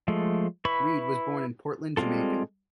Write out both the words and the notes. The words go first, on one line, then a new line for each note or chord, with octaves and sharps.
Reid was born in Portland, Jamaica.
F3 G#3 A3
E4 B4 B5 C#6
G3 G#3 C4 F4 A4